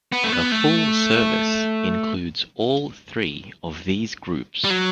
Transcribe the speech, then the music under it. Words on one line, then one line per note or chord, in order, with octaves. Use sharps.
A "Full Service" includes all three of these groups.
B3
A3
B3
A3
G3
F#3